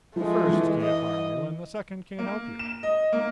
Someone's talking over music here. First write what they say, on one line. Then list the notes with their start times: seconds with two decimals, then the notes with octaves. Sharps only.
The first can't harm you and the second can't help you.
0.16 F3 G#3 A3
0.48 E3
0.81 D#5
2.19 A#3
2.59 E7
2.83 D#5
3.13 A#3